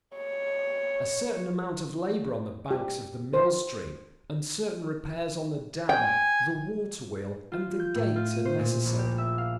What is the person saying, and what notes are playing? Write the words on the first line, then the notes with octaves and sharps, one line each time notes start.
A certain amount of labor on the banks of the mill-stream, and certain repairs on the dam, the water-wheel, and the gates are necessary.
C#5
G4
C5
G5 G#5
F4
G6
A2
F4
D#7
C5
A#2
A#1
G4
E5
F5